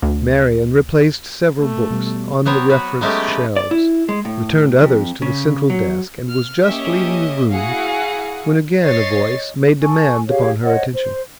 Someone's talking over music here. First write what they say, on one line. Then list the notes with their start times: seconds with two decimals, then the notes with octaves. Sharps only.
Marian replaced several books on the reference-shelves, returned others to the central desk, and was just leaving the room, when again a voice made demand upon her attention.
0.02 D2
1.60 A3
1.90 B2 G3
2.45 F#3 B3 C4 C#5
2.69 F#4 B4
3.01 F#3 G#3 A3 B3 C#4 G4
3.28 B4
3.56 D5
3.71 E4
4.09 G#3
4.25 A2
4.81 F2
5.22 C#3
5.70 F#3
6.29 F6
6.65 A#3 C#4 G4 D#5 E5
7.49 E4 F#4 G#4 F5 F#5
8.83 C#5 D#5 A6 C7
9.82 A4 G#5 C#6
10.29 G4 G#4 C#5 F5
10.64 C5 C#5 D#5 F#5
10.93 C5